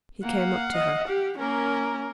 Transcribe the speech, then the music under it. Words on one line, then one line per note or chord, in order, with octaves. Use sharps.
He came up to her.
A#3 F5 F#5
D#5
G4
A#3 C#4 A#4